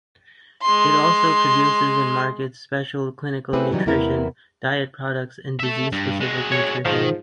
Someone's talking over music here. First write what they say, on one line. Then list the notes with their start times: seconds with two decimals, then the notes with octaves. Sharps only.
It also produces and markets special clinical nutrition, diet products and disease-specific nutrition.
0.62 G#3 C6
3.53 A3 C4 C#4 E4 G#4 B4
3.71 C#3 E3 F#3 G3 D#4
3.86 E2 C3 E3 A#3 E4 A#4
5.60 A4 E5
5.92 G2
6.21 G#3 F#4
6.52 C#5
6.85 G#2 D#3 F3